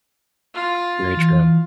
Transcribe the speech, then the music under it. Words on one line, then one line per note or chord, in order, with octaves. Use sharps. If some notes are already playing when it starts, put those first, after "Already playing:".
very true.
F4
E3